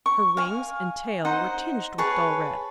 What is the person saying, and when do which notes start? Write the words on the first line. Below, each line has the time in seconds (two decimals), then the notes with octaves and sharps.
Her wings and tail were tinged with dull red.
0.06 C#6
0.37 F5 G#5
1.25 D#4 C5 F#5
1.98 G#4 B4 C#5 A5